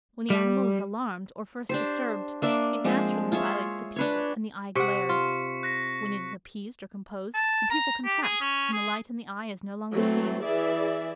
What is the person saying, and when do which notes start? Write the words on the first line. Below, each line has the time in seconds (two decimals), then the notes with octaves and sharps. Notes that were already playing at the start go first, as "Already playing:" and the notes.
When the animal is alarmed, or first disturbed, it naturally dilates the pupil, and the eye glares; when it is appeased or composed, the pupil contracts, and the light in the eye is no longer seen.
0.30 G3
1.69 D4 G4 C5
2.42 A#3 D4 E5
2.84 F3 G#3 C4
3.32 F4 G#4 C#5 E5
3.96 D4 B4 C#5
4.75 C3 F#5 C#6 B6 C#7
5.09 F4
5.63 F#6 A#6 B6
7.34 A5
7.71 A#5
8.05 G4
8.23 G#4
8.41 C#4
8.73 G#4
9.94 E3 F#3 A3 C4
10.43 E3 G#4 D5 E5